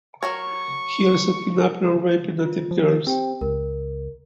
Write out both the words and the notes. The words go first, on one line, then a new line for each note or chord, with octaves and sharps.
He also kidnapped and raped native girls.
F#3 A#4 C#5 C#6
F4
F3
C4 G4 G5
C#2 A#4